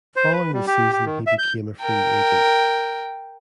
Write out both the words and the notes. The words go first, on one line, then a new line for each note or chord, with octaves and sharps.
Following the season, he became a free agent.
C5
B4
G3
G4
G4
D#3
E5
G6
A#4 G5